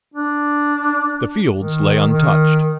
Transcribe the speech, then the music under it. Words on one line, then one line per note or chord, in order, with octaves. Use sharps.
The fields lay untouched.
D4
D#3
D#3